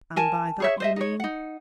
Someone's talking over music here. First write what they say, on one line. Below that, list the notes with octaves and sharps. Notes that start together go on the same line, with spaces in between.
"And by that you mean?"
A#4 G#5 A5
G#4 C#5 E5
C5 D#5 E5
D#4 C#5
D#4 F#5